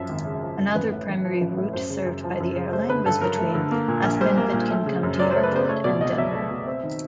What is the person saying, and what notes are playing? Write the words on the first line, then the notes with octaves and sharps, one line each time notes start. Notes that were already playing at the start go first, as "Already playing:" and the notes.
Another primary route served by the airline was between Aspen-Pitkin County Airport and Denver.
Already playing: F#2 F3 E5
G#1
C#3
F3
F#2
A1 B4
A2
A1
F3
A1
A2
F#2 C5
C#3
F#2
F3
F#2
C#3
A3 C5
D3 B4
G2 A4
F#3 A#4
A3
D3
A#3
A#2
A#1
G3 C5
A#3
A#2
A3
C#3
F#2
F#3 D5
C5
A3
B4
C#3 C5
A3 C#5
B2 D5
C2 D#5
F#3 E5
A3
B2
C4
D#3